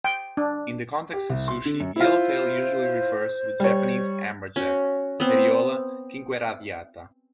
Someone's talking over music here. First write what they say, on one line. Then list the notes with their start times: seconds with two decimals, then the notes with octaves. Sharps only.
In the context of sushi, yellowtail usually refers to the Japanese amberjack, "Seriola quinqueradiata".
0.04 G5
0.37 D4
1.13 G4
1.30 C2
1.48 C6
1.66 D3
1.80 F#2
1.96 E4 F4 C5
3.60 G3 C#5
4.56 C#4 F#4
5.20 B3 C4